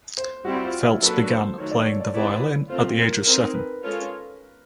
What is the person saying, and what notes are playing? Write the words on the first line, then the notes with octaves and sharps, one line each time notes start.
Feltz began playing the violin at the age of seven.
C5
G3 C4 E4 F#4
F#4
F4
E4
F#3 A#3 D4 F#4 A4 B4
C5
D#3 F#3 A3 C#5
D5
C#5
D5
C4 E4 G#4 B4 C#5 D5
A3 C4 F4 C5
A#4
C4 D#4 G#4 A#4
B4
G#3 C#4 F4 A4 C#5